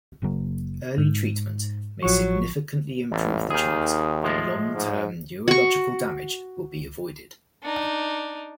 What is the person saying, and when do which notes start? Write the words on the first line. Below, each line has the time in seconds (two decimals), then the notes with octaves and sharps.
Early treatment may significantly improve the chance that long-term neurological damage will be avoided.
0.22 F#1 C#3 F#3 A#3
0.98 G#2
2.03 A1 F3 F#3 C#6
3.12 A1 E2
3.50 D#2 D#3 G#4
4.23 A2 F3 G#3
4.75 G#2
5.48 F#4 C#6
7.62 D4 D#4